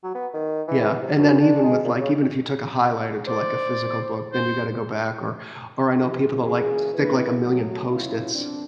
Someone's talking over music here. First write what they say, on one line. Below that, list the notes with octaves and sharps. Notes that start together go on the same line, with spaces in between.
yeah, and then even with, like, even if you took a highlighter to, like, a physical book, then you gotta go back or or I know people that, like, stick, like, a million Post-its,
F#3
B3
D#3
E3
C3
F#2
D4
G#3
A#2
C#3
C5 D5
C5
E3 F3 G4
C#3 E3 A#3 G#4
A#3 E4 B4
F#3 A3 F#4
E2 B2 F#3 C#4 E4 F4
F2 B2 C4 D4